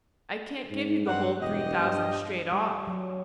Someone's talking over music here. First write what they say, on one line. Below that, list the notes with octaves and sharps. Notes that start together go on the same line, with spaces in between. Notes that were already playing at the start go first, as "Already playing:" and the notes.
I can't give you the whole three thousand straight off.
G#2
G2 C4 D#4 F#5
E1 G4 D#5
G2
G3
F#3